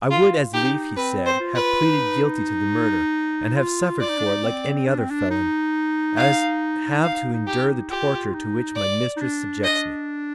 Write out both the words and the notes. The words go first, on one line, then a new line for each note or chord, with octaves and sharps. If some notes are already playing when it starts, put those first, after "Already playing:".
"I would as lief," he said, "have pleaded guilty to the murder, and have suffered for it like any other felon, as have to endure the torture to which my mistress subjects me."
F4
D#4 G4
C4 B4
C5
F4
B4
D#4
F4
F4 D5
D#4
D4
D#4
C4
D4
C4
D4
D#4
F5
D#4 F5
D#4
G4
D#4
F4 G4
D#4
D5
D#4
D4
D#5